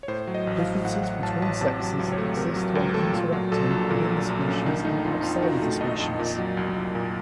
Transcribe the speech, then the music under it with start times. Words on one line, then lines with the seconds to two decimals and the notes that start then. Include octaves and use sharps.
Differences between sexes exist when interacting within the species and outside of the species.
0.03 C#5
0.08 A2 C5
0.27 F#3
0.34 D#5
0.47 A1
0.59 F5
0.65 A1
0.85 A2 F#5
1.03 F#3 F#5
1.23 A1 A5
1.42 A1 A5
1.61 C3 A5
1.80 F#3
1.99 C#2
2.12 C#5
2.18 A3
2.37 C3 A#4
2.56 F#3
2.75 C#2
2.94 A3 A4
3.13 A#2 F4
3.32 F#3
3.52 A#1 A4
3.70 A#1
3.90 A#2 A#4
4.10 F#3
4.29 A#1
4.41 C#4
4.47 A#1
4.66 D#3 D#4
4.85 A3 D#4
5.04 F2 F4
5.23 F2 F4
5.37 F4
5.42 D#3 F#4
5.62 A3
5.81 F2 D#5
6.00 F2
6.19 A#2
6.38 F#3
6.57 C2
6.76 C2
6.95 A#2